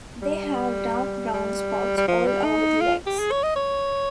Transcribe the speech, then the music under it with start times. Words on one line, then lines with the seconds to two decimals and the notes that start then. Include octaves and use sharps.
They have dark brown spots all over the legs.
0.22 G3
1.33 G3
1.98 G3
2.08 F3
2.26 G3
2.44 D#4
2.81 F4
3.06 G4
3.19 G#4
3.32 C#5
3.43 D#5
3.56 C#5